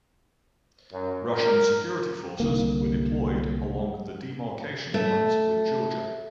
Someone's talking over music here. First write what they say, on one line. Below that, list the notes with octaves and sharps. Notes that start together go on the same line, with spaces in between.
Russian security forces were deployed along the demarcation lines with Georgia.
F#2
A#4
C2 D3 A#3
A3